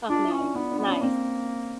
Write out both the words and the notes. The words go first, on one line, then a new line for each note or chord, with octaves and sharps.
Oh, nice, nice.
D4 F4
E4
C#4
D4
B3 D4
D4
B3
C#4
A#3 C4